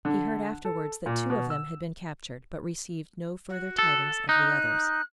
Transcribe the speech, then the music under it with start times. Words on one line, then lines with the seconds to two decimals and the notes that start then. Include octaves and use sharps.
He heard afterwards that two of them had been captured, but received no further tidings of the others.
0.05 D3
0.65 A4
1.06 A#2
1.30 B2
1.50 E6
3.49 F#4
3.79 A4
4.29 D#4 F#6